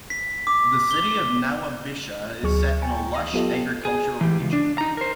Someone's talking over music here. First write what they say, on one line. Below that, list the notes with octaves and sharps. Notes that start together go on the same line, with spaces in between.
The city of Nawabshah is set in a lush agricultural region.
B6
D6
G7
D2 F#3 G#4 C#6 F6
G5 G#5 A#5 C#6
D#6 A#6 C7
F#3 B3 F4 G4 A4 D#5
G#4
E3 G4
C#2
D4
D#4 A#5
A#4 C5